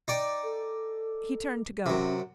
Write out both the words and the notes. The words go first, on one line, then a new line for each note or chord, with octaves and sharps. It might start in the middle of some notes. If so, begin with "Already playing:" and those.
He turned to go.
D#4 D5 G5
A4
F#2 C3 C#4